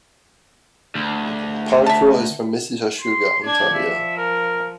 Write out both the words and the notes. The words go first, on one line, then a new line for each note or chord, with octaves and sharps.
Pakrul is from Mississauga, Ontario.
D2
E5 A5
C6
D4 D5 G#6
F3 E5
A#4